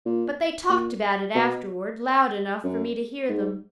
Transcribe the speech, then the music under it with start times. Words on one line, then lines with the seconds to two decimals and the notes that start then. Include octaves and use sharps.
But they talked about it afterward, loud enough for me to hear them.
0.06 A#2
0.70 A#2
1.35 B2
2.64 F#2
3.29 G#2